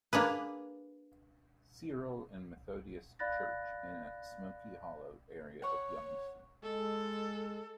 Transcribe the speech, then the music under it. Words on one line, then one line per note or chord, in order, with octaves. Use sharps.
Cyril and Methodius Church, in the Smoky Hollow area of Youngstown.
A#3 D4 G#4 B4
D5 F5 B5 F#6 A6 A#6
C#5 F#5 C#6
G#3 A4